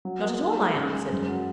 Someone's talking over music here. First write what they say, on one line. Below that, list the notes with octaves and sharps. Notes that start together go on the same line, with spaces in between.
'Not at all,' I answered.
F#3
A#3
D#4
G#3
C#3
G#3
F#2
F#3